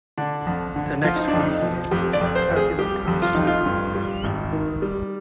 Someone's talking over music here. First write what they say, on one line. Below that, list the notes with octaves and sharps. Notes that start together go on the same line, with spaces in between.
The next few years were a turbulent time for the group.
D3 D4
F2
D3
F3 F4
D#4
D4
F2
D#4
F3
F2 G4
D5
F2
C5
F2
G#4
G3 G4
F2
F4
F2 D#4
F4
G2
G3
G#1
D#3
G3